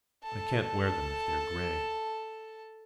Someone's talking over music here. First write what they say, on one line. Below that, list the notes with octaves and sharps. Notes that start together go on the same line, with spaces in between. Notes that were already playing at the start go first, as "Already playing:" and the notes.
I can't wear them if they are grey.
A4 A5